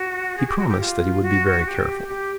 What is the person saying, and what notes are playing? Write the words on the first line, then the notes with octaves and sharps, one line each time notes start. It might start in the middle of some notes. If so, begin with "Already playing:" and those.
He promised that he would be very careful.
Already playing: F#4
G#4
G4
F#4
G4
F4
F#4
G4
G4